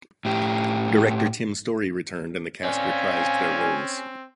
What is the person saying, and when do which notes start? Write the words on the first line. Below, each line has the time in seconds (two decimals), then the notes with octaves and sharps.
Director Tim Story returned, and the cast reprised their roles.
0.25 A2 G4
2.63 C4 C#4 D5 F5 G#5